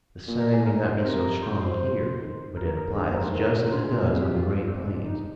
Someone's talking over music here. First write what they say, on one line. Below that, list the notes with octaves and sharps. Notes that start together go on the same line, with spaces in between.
The sign may not be so strong here, but it applies just as it does on the great plains.
A#2
A#4
G#4
A#4
C5
C3 A#4
C5
D#3
A#4
A#4
D3 G#4
A#2 C5
G2 A#4
G#2 C5
D#3 A#4
A#4
D3 C5
G#4
A#4
A#2
C3 G#4
G4
F4
D4
C4
D4
D#4